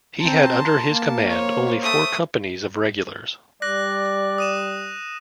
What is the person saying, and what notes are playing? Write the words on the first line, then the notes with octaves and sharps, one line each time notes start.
He had under his command only four companies of regulars.
C4 A5 A#5 C6
A#3
C5 C#5
A3 D#6
G3 D5 F#6 A#6 F#7
D#6 D#7 E7